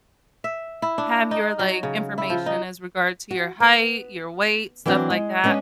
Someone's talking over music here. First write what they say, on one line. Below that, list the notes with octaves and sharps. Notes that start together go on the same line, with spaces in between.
have your, like, information as regard to your height, your weight, stuff like that,
E5
E4
D4
D#4
F#3
C#3
E4
F3
D#4
F#4
B3
E3 F#3 C4 D4 F#4
G#3
G#3 B3 C#4 D4